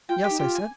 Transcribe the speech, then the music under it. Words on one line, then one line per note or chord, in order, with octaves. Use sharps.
"Yes," I said.
F4 G5
G4
D#4
F4 G4
G#5